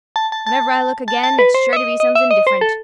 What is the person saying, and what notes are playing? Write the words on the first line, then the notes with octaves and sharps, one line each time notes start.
Whenever I look again, it's sure to be something different!
A5
A5
A5
A5
A5
B4
C5
E5
D#5
D#5
E5
D#5
C5
A4